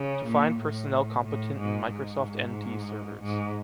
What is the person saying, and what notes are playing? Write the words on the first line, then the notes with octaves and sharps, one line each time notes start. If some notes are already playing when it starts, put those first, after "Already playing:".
To find personnel competent in Microsoft NT Servers.
Already playing: C#3
A#2
A2
A2
G#2
G#2
G#2